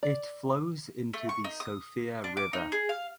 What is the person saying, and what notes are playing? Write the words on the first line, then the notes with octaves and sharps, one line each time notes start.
It flows into the Sofia River.
D5
A3
C#6
D#4
D#6
D4
D6
D#4
G#4
F5